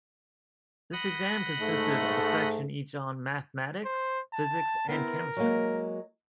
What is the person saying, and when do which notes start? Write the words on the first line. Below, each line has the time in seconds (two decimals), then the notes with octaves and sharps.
This exam consisted of a section each on Mathematics, Physics and Chemistry.
0.93 D#5 F#5 B5
1.60 G#2 A3
3.84 C5
4.33 A5
4.89 B3 C4 E4 A#4
5.37 F#3 G#3 A#3